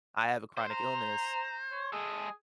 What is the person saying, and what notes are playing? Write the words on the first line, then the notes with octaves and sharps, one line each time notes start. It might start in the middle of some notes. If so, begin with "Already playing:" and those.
I have a chronic illness
C5
A#5
C#5
G#3 G#4 A4